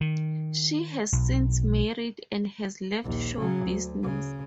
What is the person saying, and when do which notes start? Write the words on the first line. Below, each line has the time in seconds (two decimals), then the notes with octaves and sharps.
She has since married and has left show business.
0.01 D#3
1.12 B1
3.04 A#1 D#2
3.37 C#3 F#3
3.66 D2
4.03 C#3